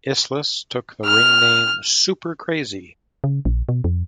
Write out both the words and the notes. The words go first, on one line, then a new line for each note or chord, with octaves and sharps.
Islas took the ring name "Super Crazy".
F6
C#3
A#1
B2
F2